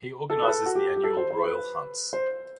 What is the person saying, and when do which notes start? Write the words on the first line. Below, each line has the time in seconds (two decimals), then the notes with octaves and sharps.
He organizes the annual Royal hunts.
0.30 A4
0.42 B4
0.47 A4
0.66 F#4
0.75 G4
0.96 G4
1.03 A4
1.17 C5
1.31 C5
1.44 B4
2.13 C5